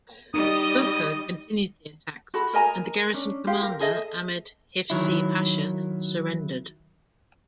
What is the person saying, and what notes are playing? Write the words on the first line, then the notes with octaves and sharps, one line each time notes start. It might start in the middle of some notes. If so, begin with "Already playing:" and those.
Gourko continued the attacks and the garrison commander Ahmed Hifzi Pasha surrendered.
G3 D#4 D#5 D#6
F#4 A4 B5
A#4 D#5 G#5 A#5
C#4 D4
F4 G4 F5
A#4
G#4 A4 D#5 E5
D#3 F#3 E4